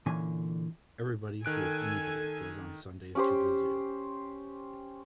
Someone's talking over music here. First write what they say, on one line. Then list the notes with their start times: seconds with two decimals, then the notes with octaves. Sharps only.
Everybody who is anybody goes on Sundays to the Zoo.
0.06 A#2 D3 E3 C#4 G#5
1.45 D#3 A4 G#5 F#6 D7
3.15 C#4 G4 C5